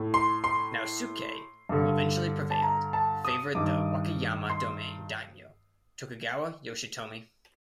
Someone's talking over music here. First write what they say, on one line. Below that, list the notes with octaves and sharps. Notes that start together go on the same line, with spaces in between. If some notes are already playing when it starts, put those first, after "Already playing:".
Naosuke, who eventually prevailed, favored the Wakayama Domain daimyo Tokugawa Yoshitomi.
Already playing: A2
C6
C6
G2 D3
A5
A#5
A5
D#6
G2 D#3 D6
C6